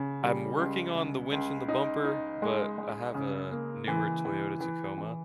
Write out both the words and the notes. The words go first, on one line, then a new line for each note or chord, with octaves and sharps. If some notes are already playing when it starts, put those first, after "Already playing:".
I'm working on the winch and the bumper, but I have a newer Toyota Tacoma,
Already playing: C#3
G3
C#2
C#2
C#2
D#4
D#4
G#3
G#3
C#3
A#3
E3
E3
E3
E3